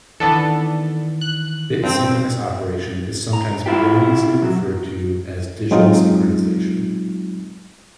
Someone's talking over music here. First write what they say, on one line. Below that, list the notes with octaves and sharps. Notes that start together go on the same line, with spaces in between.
Bit-synchronous operation is sometimes erroneously referred to as digital synchronization.
D#3 E3 B3 D4 A4
F#6
G2 C4
A#5
E4 F4 G4
F#3
F#3 G#3 C4 D#4 F4